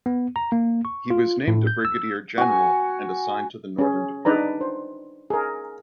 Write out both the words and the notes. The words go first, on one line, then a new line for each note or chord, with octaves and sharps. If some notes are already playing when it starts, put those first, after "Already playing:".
He was named a brigadier general and assigned to the Northern Department.
B3
A#5
A#3
C#6
F4
A2
G6
E6
F#4 G#5
C#4 G#4
D4 D#4 B4 D5 A#5
C5
G#4 A#4